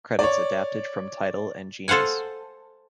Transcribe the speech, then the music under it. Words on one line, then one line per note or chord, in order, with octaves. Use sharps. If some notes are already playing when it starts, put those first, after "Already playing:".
Credits adapted from Tidal and Genius.
C#5 D5
A4 C5 F5 F#5 G#5